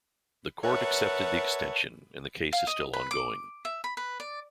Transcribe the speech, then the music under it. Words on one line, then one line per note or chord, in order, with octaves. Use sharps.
The court accepted the extension and the case is still ongoing.
A#4 B4 C#5 E5 F#5 A5
F5
D#5
B4
D6
E5
B5
B4
D5